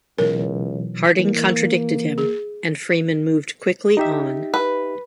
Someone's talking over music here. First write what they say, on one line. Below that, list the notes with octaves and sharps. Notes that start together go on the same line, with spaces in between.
Harding contradicted him and Freeman moved quickly on.
C#2 B2 E3 F#3 A#4
E3 A#3
G#4
D#4 G4 E5
B4